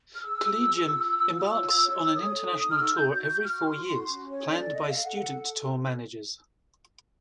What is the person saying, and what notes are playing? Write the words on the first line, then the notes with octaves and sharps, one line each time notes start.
Collegium embarks on an international tour every four years, planned by student tour managers.
F6
G#4 E6
F4
F4
F4
D#6
C#5 E6
C#5
A4 D#6
D#4
F6
F#4 E6
G6
F#4 G6
G6
F#4 F6
C6
F#4
C6
C#4
C#5
A4
D5
A4 D#5
F5
A4 F#5
F#5